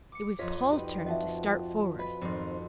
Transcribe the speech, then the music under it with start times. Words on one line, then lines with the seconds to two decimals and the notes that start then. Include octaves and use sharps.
It was Paul's turn to start forward.
0.12 D6 C#7
0.39 F2 F4 C#5 D#5 B6
0.69 F#3 G3 D#4 B4 D#5
1.06 F3 C4 F#4 D#5 E5
1.99 B4 D#5 B5
2.21 G#1 F2 D#3 C4 D5